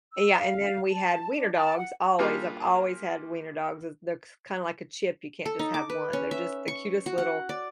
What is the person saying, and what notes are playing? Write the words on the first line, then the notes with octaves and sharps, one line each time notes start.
Yeah, and then we had wiener dogs always, I've always had wiener dogs, as they're they're kinda like a chip, you can't just have one. They're just the cutest little,
E6
F5
A5
D4
A5
F#5
G3 A#3 D4 F4 G4 G#4
A4
D#4
D6
B4
C#4
E5
C#6
F#4
F#5
D5